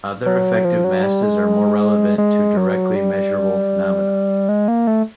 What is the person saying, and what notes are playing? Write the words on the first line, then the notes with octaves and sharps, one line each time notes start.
Other effective masses are more relevant to directly measurable phenomena.
F#3
F3
F#3
G3
G#3
G#3
F#3
G3
G#3
A#3
A3